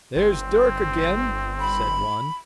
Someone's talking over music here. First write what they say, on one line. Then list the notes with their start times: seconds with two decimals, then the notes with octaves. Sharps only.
"There's Dirk again," said one.
0.16 G1 C4
1.60 B5